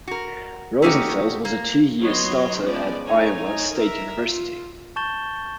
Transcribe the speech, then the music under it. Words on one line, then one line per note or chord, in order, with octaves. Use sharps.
Rosenfels was a two-year starter at Iowa State University.
F#4 A#4
A3 A#3 C#4 D#4 F#4 G4
A#3
F#3 B3 C#5 D#5 C6
F3 G#3 B3 C#4 D5
A3 D#4 C#5 G#5
A#4 E5
F4
A5 C#6 G6 A6 E7 G7